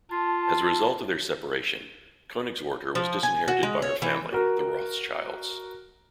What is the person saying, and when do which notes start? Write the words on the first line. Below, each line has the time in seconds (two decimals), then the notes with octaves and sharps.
As a result of their separation, Koenigswarter was disinherited by her family, the Rothschilds.
0.12 F4 A5
2.95 F3
3.23 G#5
3.48 F#4
3.63 G#3
3.82 C#5
4.02 E3
4.32 F#4 A#4